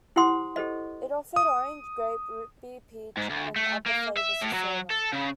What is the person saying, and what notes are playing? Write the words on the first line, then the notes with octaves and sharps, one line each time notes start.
It offered orange, grape, root beer, peach, and other flavors of soda.
E4 G4 C5 F#5 C6 D#6
G4 A4 C5 D#5
D#6
G#2
D2
A3
A#3
E5
A2
F#3
A4
C#3